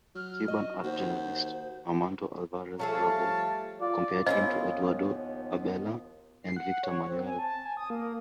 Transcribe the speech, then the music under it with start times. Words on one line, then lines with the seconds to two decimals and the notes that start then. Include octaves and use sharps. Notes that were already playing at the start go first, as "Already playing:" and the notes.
Cuban art journalist Armando Alvarez Bravo compared him to Eduardo Abela and Victor Manuel.
0.15 F#3 F6
0.48 F#4 D#5
0.84 D#2 F#4 C5
2.79 F3 G3 A3 G#4 C#5 F5 A5
3.81 F4 D5
4.27 D#2 F3 B3 C#4 E4 F4 A#4 D#5
6.43 C7
6.56 F#5
6.83 C#5
7.07 C4
7.26 G#5
7.38 A5
7.65 G#5
7.77 D#6
7.90 A#3